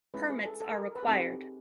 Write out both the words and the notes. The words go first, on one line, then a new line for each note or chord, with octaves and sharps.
Permits are required.
G#3 C#4 E4 B4
G#4
A4
A4
A#4
B4
G#4
C4 D#4 G4 A4